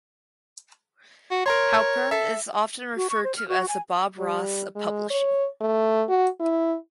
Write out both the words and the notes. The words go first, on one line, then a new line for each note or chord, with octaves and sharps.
Halpern is often referred to as the Bob Ross of Publishing.
F#4
A#4 C#5 A#5 C6
A4 E5
F#4
C#6
C5
F6
F#4
G#5
G3
G#3
C#5
A3
F#4
E4